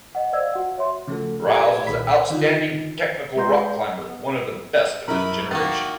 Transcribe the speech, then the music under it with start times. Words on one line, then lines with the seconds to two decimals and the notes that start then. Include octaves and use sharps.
Rouse was an outstanding technical rock climber, one of the best of his generation.
0.15 D#5 F#5
0.33 C5 D5 F5 E6 G#6
0.53 F#4 F#5
0.78 C#5 E5 C6
1.08 C#3 F3 A3 F#4 A4
1.46 A#2 G4 A4 G#5 G#6
1.87 B1 A#2 D#3 B5 B6
2.30 D3 D#3 D#4 F4
3.36 G#3 B4 A#5 C6 G6
4.01 B3
5.08 F#2 B2 E4 A#4 B5
5.51 D#3 A#3 F#4 A6